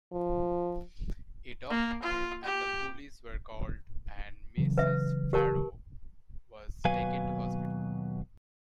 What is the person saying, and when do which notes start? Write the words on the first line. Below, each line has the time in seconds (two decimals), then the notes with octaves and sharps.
A doctor and the police were called and Mrs Farrow was taken to hospital.
0.12 F3
1.70 A#3
2.03 F4
2.44 G4
4.57 C#3 E3 F#3
4.78 B4 E5
5.33 G4 A#4 A5
6.85 D#2 B2 F#3 B4 F5 G#5